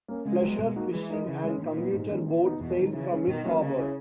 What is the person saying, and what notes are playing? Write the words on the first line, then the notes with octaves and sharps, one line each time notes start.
Pleasure, fishing and commuter boats sail from its harbor.
A#3 C#4
C#3 G#3
F#3 B3
B2
A#3 D#4 F#4
E3 G#3
D#4 A#4 D#5
C#3 E3
G#3 C#4
A#2 D#3
F#3 B3 E4
G#2
D#3 G#3 C#4
A#2 E3
B3 D#4
E2 B2
D#3 F#3
C#3 E3
G#3 C#4
B2 D#3
F#3 A#3 C#4 E4
C#3 A#3
C#4 E4 G#4 C#5